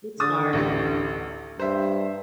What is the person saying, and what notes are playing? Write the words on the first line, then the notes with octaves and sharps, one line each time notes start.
it's hard.
D3 D#6 A6
A1 D2 G4
G2 C5 E5